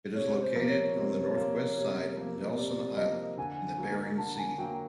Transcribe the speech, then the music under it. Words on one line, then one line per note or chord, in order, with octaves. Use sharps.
It is located on the northwest side of Nelson Island in the Bering Sea.
C3 C#5
C5
F3 A#3
C#5
C3
F3 A#3
C3
F3 A#3
C3 D5
F3 D#5
A#3
D3 G#5
F#3 A#3
D3 A5
G#5
F#3 A#3 G5